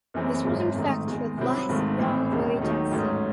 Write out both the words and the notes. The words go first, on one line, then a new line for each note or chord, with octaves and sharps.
This was in fact her last long voyage at sea.
F#1 F#2 E3 A3 C4
G#1 F#2 C#3 G#3 C4
A1 G#2 D#3 A3
E2 D#3 G#3
C2 C3 F#3 C4 E4
G#1 G#2 D#3 A3
A1 A2 E3 C4
E1 D#2 C#3
D#2 D#3 F#3 A3 D#4
A1 G#2 F#3 A3 C#4